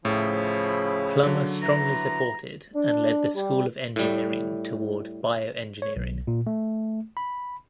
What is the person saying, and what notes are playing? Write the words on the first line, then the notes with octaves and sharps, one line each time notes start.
Plummer strongly supported and led the School of Engineering toward bioengineering.
A2 C#3 F3 E4
D3 F#3
E4 B4 A#5
D4
G3
A2 G3
C#5
B1
A#2
A3
B5